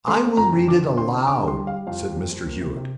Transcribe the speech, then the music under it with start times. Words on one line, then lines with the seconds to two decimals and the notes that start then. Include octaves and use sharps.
"I will read it aloud," said Mr. Hewett.
0.07 A3 C6
0.24 C4
0.37 F2 A#5
0.53 F2
0.68 D3 D6
0.82 D3
0.97 C4 C6
1.13 C4
1.27 D3 D6
1.42 G3
1.48 C6
1.57 G3
1.67 F5
1.72 G3
1.87 F2 F5
2.02 G3
2.16 F2
2.32 F2
2.47 A#3
2.62 C3
2.77 C3